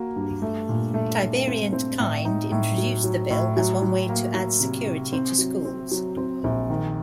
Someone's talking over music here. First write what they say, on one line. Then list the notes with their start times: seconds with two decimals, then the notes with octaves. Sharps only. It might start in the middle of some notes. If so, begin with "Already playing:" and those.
Tiberi and Kind introduced the bill as one way to add security to schools.
Already playing: A#3 F#4
0.16 G2
0.42 A3
0.69 A#2
0.94 A3
1.21 A3
1.47 C4
1.73 C4
2.00 A2
2.25 D#4
2.52 A2
2.78 F#3
3.04 F#3
3.30 A2
3.57 F#3
3.82 F#3
4.09 A#3
4.34 F#3
4.61 C3
4.86 C3
5.13 C4
5.38 F#3
5.65 C4
5.91 F#3
6.17 C4
6.44 A#1
6.70 D#3